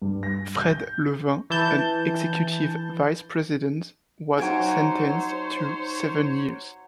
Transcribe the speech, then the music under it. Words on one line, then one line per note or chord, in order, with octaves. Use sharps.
Fred Levin, an executive vice president, was sentenced to seven years.
G2
A#6
G6
E3 A5 G6
F#3 D#4 C5 C#5 G#5 G#6 D7